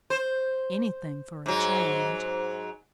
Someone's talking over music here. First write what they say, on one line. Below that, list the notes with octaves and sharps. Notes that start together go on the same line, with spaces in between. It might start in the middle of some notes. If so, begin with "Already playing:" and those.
Anything for a change.
C5
G#2 F#3